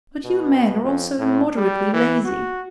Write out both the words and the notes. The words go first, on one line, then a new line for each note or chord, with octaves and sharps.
But you men are all so immoderately lazy!
B2
F2
A2
G3
E3
F#4